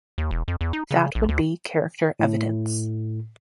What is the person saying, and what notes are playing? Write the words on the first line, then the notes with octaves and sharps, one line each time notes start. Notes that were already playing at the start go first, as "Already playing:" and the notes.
That would be character evidence.
D#2
E1
F2
E2
D#4
C#3
A#1
D2
A2